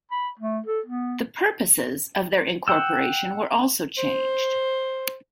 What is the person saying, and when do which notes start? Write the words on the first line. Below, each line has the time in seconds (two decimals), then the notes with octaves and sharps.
The purposes of their incorporation were also changed.
0.11 B5
0.39 A3
0.66 A4
0.86 B3
2.68 F#5 G5 E6
3.98 C5